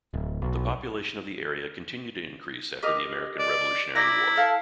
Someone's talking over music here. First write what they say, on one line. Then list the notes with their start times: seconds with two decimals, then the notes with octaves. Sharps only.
The population of the area continued to increase after the American Revolutionary War.
0.14 D1
0.42 B1
2.83 G4 A#4 D#5
3.39 D5
3.95 E4 D5 A#5
4.36 A4 F5 A5